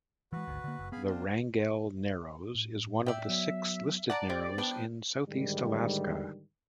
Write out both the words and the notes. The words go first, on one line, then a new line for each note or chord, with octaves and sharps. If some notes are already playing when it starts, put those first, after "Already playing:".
The Wrangell Narrows is one of the six Listed narrows in Southeast Alaska.
E3 G#3 F#4 B4
G#1 D2
D3 A#3
F#1
B3 G#4 F5 B5
C4 D4 F4
A2
D5 E5 G5
F#3 B3
D5 F#5 A5 A#5
C4 G4
F3 B3 D4 D#4 B4 G5
G#2 D3 D#3 G3